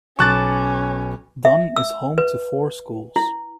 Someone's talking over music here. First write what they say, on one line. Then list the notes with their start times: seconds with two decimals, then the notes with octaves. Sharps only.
Dunn is home to four schools.
0.19 B1 C#4 A5 C#6 D6 F#6 A6
1.45 E5
1.76 E6
2.18 B4
3.16 E4